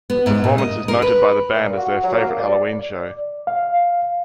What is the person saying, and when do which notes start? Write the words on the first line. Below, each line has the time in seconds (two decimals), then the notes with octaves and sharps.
The performance is noted by the band as their favorite Halloween show.
0.10 B3
0.26 G#2
0.44 A#2
0.58 D#5
0.88 A#4
1.02 B4
1.55 A#2
1.78 F#4
2.04 F#3
2.17 A#3
2.40 D5
3.47 F5